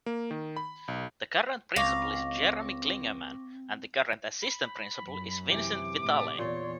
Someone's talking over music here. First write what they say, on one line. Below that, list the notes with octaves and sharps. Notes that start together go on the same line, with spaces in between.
The current principal is Jeramy Clingerman, and the current assistant principal is Vincent Vitale.
A#3
D#3
B5
B1
C#2 C4 F5 C#6 D6 A#6
B5
F#2
C3 E3 D6
A2 A3
E2 A#2 C#5 D5 C6